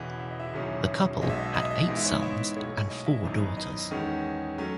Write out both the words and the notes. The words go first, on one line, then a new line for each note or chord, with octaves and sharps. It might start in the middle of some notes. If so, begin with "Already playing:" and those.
The couple had eight sons and four daughters.
Already playing: E1 E2 C#3 E3 D#5
E5
D#5
E4 E5
E1 D#2 C#3 F#3 C#4
B1 B2 G#3 D#5
E5
D#5
E5
D#5
E5
D#5
G#2 E3 G#3 B3
E4 E5
C#5
D#5
E4 E5
B1 A2 G#3 C#5
D#5
E4 E5
G#1 F#2 E3 B3 D#5
D#5
E2 D#3 G#3 C#4
F#3 A3 C#4